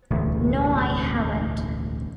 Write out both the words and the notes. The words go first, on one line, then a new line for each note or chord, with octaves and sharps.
No, I haven't.
E1 A1 D2